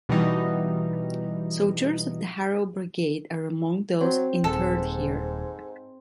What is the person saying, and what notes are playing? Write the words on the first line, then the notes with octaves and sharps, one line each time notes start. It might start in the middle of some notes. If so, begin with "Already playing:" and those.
Soldiers of the Harel Brigade are among those interred here.
B2 E3 G3 D#4
F#3 C4
D#1 G#2 A4